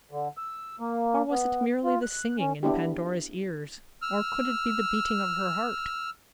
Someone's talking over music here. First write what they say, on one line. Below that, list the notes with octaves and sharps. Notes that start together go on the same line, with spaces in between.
Or was it merely the singing in Pandora's ears? Or could it be the beating of her heart?
D3
E6
A#3
B3
F4
F#6
C#4
B3 D4 E4 G4
E6 F6